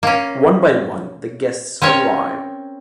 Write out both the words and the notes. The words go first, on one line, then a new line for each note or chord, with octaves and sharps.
One by one, the guests arrive.
A#3 C#4
C4 C#4 A#4 C#5